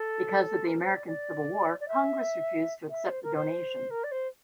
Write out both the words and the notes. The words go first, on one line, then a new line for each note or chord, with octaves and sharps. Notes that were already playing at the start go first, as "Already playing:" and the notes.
Because of the American Civil War, Congress refused to accept the donation.
Already playing: A4
A#4
C5
D5
D5
D5
E5
E5
C5
A#4
C5
A#4
D5
C5